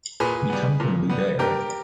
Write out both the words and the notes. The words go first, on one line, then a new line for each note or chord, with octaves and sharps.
We come from Búger.
A#2 G#4 B4
G3 B3
A#2
G3 B3
G2 G4 A#4